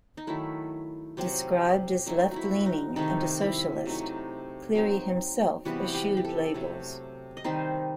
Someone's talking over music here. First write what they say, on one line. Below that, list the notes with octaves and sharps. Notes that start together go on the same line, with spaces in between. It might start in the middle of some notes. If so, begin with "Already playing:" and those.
Described as left-leaning and a socialist, Cleary himself eschewed labels.
D#4
D#3 F#3 A3 E4
C3 F#3 C4
F#3 A3 C4 D#4
F#4
E4
D#4
C3 D#3 A3 D#4
E4
C3 F#3 A3 D#4
F#3 C4 D#4
C3 E3 G3 B3 F#4
G4
G4
A4
C3 F#3 A3
D#5
D#3 G3 C4 D#4 C5